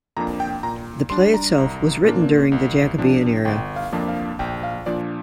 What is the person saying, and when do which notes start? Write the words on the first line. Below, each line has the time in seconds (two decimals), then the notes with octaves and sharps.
The play itself was written during the Jacobean era.
0.17 F2 F3 A#3 D4 A#5
0.40 G5
0.63 A#2 A#5
1.10 G3 D4 C6
1.34 A#5
1.58 C2
2.04 A#2 A#3 D4
2.52 C2
2.98 C3 F3 D4
3.45 G1 G5
3.76 F5
3.92 F2 F3 A#3 D4
4.08 F5
4.39 A#1 G5
4.63 F5
4.86 A#2 F3 D4 D5